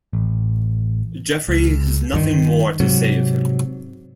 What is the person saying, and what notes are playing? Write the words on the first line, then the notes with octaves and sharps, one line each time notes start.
Geoffrey has nothing more to say of him.
A1
C#2
G1 G2 C3 D#3
G#2 C3 F#3